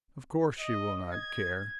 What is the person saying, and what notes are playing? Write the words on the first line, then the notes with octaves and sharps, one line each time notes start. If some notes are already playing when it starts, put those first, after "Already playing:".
Of course she will not care.
D#5
G#6